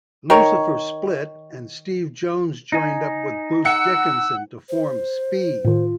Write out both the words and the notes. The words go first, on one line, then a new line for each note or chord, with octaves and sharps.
Lucifer split and Steve Jones joined up with Bruce Dickinson to form Speed.
D#3 A#4 C#5
D#4 G#5
F#5 E6 C#7
C5
A2 D#3 F4